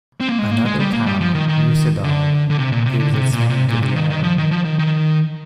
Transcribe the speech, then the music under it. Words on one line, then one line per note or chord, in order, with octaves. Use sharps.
Another town, Usedom, gives its name to the island.
C4
A#3
G#3
A#3
G#3
G3
A#3
G3
F3
D#3
D#3
D3
D3
C3
A#2
C3
D3
C3
A#2
C3
A#2
C3
D#3
D#3
F3
D#3
F3
D#3
D#3